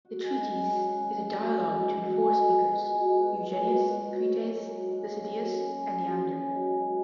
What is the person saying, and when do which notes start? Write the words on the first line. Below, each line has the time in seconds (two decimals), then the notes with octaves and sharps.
The treatise is a dialogue between four speakers: Eugenius, Crites, Lisideius, and Neander.
0.05 F#4
0.20 G#3
0.37 D#3
0.53 C#4
0.69 F#4
0.85 G#3
1.01 D#3
1.18 C#4
1.33 B2
1.49 G#3
1.65 B2
1.82 B3
1.98 B2
2.14 G#3
2.30 B2
2.46 B3
2.62 F4
2.78 G#3
2.95 B2
3.11 B3
3.27 F4
3.43 G#3
3.59 B2
3.74 B3
3.91 G#2
4.07 F#3
4.24 G#2
4.39 A#3
4.55 G#2
4.72 F#3
4.88 G#2
5.04 A#3
5.20 C#3
5.36 F#3
5.52 C#3
5.69 C#4
5.84 C#3
6.00 F#3
6.17 C#3
6.33 C#4
6.49 B2
6.65 G#3
6.81 B2